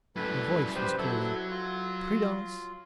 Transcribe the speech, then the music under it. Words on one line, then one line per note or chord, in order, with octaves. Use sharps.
A voice was calling, "Prudence!"
F#2 G3 A3 E4 B4
G4 B4 C5
F#3 E4 A4
F4